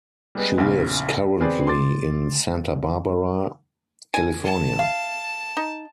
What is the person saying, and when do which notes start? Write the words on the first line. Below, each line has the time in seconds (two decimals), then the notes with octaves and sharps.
She lives currently in Santa Barbara, California.
0.35 G3 G#3 B3
0.58 A#1 E2 C#3
1.40 B3 C4 G#4 B4 D5
1.67 C6 D6 A6
4.14 G#5
4.44 A5
4.79 F5
5.57 D#4